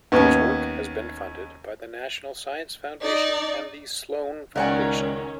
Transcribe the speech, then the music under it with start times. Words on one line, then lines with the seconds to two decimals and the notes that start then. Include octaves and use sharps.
His work has been funded by the National Science Foundation and the Sloan Foundation.
0.12 D#2 B3 C#4
3.02 D#4 D5
4.56 C#2 D#3 C#4 A#4 D5 F#5 G#5